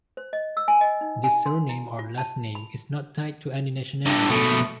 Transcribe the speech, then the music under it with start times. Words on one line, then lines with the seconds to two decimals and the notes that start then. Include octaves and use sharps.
This surname or last name is not tied to any nationality.
0.17 C5
0.33 D#5
0.57 E6
0.68 G#5
0.81 D#5
1.01 D#4
1.24 G#5
1.46 C6
1.69 E4
1.99 F4
2.18 A5
2.55 B5
4.06 G2 D3
4.30 B2 A3